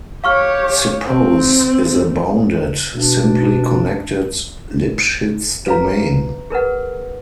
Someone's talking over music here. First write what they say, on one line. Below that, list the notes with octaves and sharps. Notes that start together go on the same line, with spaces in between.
Suppose is a bounded, simply-connected, Lipschitz domain.
G4 C#5 F5 C#6 F6
C4
B2 D4
B4 F5 A#5
G#4 A#4 B4 F#5